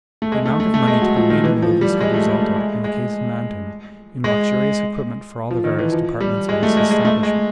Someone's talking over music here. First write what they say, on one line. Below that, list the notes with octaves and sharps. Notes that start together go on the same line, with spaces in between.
The amount of money to be made in the movies had resulted, in the case of Manton, in luxurious equipment for all the various departments of his establishment.
A3
G#3
A3
A3
A3
G#3
F#3
F3
D#3
E3
F3
G3
G#3
A3
G#3
A3
G#3
G#3
G#3
F3
D#3
E3
F3
G3
G#3
A3
G#3
G#3
A3
G#3